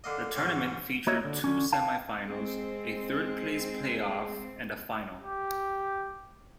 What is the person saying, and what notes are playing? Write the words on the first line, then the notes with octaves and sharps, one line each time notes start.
The tournament featured two semi-finals, a third-place play-off, and a final.
D3 A#3 D#5
E2 G#2 C#3 E3 F#3 C#4
A#3 F#4 C#5 D#5 E5
D3
D3 C#4
F5 G5 A5
G#3 C4
G4